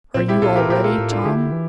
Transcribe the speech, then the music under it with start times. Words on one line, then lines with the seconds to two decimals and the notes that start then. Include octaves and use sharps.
"Are you all ready, Tom?"
0.14 A#2 C4
0.28 E4 G4
0.42 A#2 F4 A4
0.56 G4 A#4
0.70 A#2 G4 A#4
0.84 F4 A4
0.98 A2
1.11 D4 F4
1.25 D3 E4 G4
1.52 E3